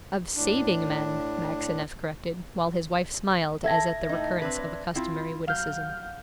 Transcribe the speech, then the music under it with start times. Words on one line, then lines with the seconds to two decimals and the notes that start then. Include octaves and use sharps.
'Of saving men,' Maxineff corrected, while his wife smiled as at the recurrence of a customary witticism.
0.36 A2 D4
3.64 A4 E5 G#6 A#6
4.09 A2 D#4
4.42 C4 D4 B4
4.95 C4 E4 F4
5.47 F#3 F5 F6 G6